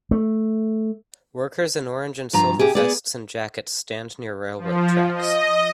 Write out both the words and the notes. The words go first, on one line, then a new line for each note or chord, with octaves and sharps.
Workers in orange and silver vests and jackets stand near railroad tracks.
A3
G2 F3 A#5
C3 G4 G#4
B3 G#4 D5
F3
D#5